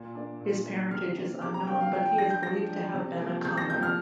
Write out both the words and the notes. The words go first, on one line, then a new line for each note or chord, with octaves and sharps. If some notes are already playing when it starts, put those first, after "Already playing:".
His parentage is unknown but he is believed to have been a commoner.
Already playing: A#2
A#3 D4
A#2
A#3 D4
C3 F6
A#3 D4
C3 D6
A#5
A#3 D4 G5
F5
F3 G5
G5
D4 A#6
G6
F3 A#6
D4
C3
F3 A#3
C3 G6
A#6
F3 A#3 G6
F6